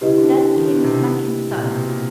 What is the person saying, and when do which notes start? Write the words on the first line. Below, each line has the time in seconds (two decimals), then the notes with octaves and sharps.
Then came a smacking thud.
0.01 C#3 E4 G4 B4 D#5
0.18 D3
0.34 D3
0.56 D#3
0.67 D3
0.84 C3
1.51 A#2
1.63 C3
1.76 B2
1.87 A#2